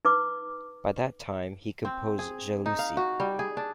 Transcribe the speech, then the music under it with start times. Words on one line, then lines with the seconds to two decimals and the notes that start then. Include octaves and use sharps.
By that time he composed "Jalousie".
0.05 D#4 B4 D6
1.85 C4
2.19 G#4
2.66 D#4
2.79 F5
2.97 F#4
3.20 G3
3.39 G#4
3.57 D4